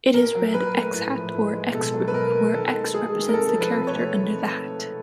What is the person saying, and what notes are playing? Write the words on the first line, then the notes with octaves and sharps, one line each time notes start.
It is read "x-hat" or "x-roof", where "x" represents the character under the hat.
A#2 A#4
F#3
A#2 B4
A3
A2
F3
A2
G#3
B2 A4
F#3
B4
B2 A#4
A#3
D#3 A4
G#3
G#3 G#4
D#3
A#4
C3 A4
F3
B4
C3
C#5
A3